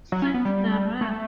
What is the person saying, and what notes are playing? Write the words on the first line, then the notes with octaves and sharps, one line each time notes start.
Since the Rev.
F#3
C#4
B3
G3
A3